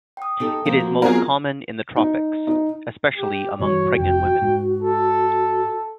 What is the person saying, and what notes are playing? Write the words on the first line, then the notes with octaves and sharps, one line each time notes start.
It is most common in the tropics, especially among pregnant women.
G5 D#6
D#4 G4 A4
F3 A#3
F#4
F#3 B3 C4 F4 G#4 A#4
D#4
D#4
G4
G2 E3 F#4 C#5
F1 F2 G5
G#2
A4